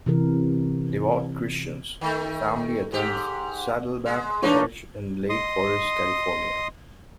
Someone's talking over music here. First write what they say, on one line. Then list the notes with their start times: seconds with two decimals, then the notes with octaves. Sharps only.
Devout Christians, the family attends Saddleback Church in Lake Forest, California.
0.06 C3 E3 A#4
2.01 D#3 A3
2.92 G#2 G4
4.06 G#3
4.42 E3 A#3 D4 D#4 B4 C#5
5.29 D#5 C6 D#6